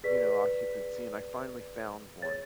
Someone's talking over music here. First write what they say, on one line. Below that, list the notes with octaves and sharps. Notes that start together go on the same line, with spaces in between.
you know, occupancy, and I finally found one.
G#4 B4 D5 B6
G#4 C#5 A6